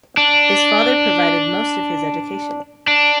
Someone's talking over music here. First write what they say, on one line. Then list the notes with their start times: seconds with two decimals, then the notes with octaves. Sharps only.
His father provided most of his education.
0.17 D4
2.88 D4